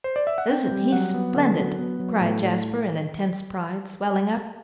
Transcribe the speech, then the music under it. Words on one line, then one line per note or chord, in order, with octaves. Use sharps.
"Isn't he splendid!" cried Jasper in intense pride, swelling up.
C5
D5
E5
F#5
C4 G5
G3
F#3 F#5
B3
D3 F#5
F#3
B3
F#3
A2
A2